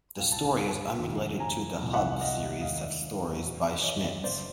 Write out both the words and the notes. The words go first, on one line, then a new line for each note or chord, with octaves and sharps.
The story is unrelated to the "Hub" series of stories by Schmitz.
C2 A#2 F#3 A3 F5 G5
G5 A5
G5 A5
F1 D#2 D3
G#5 A#5
C2 C3 F3
E5 F#5
D#5 F5
D#2 D#3 G#3 D#5 F5
D5 E5
E2 B2 F#3 B3
C#5 D#5
F#1 F#2 C#3 C5 D5